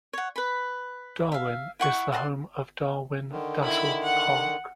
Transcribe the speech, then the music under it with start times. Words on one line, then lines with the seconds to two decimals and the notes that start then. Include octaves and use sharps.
Darwin is the home of Darwin-Dassel Park.
0.13 C#5 F#5
0.36 B4 B5
1.32 E5 F5
1.80 E4 F#5 C#6
2.12 F#5 A5 A#5 C6
3.31 D3 D#3
3.64 E4 B5
4.03 F#5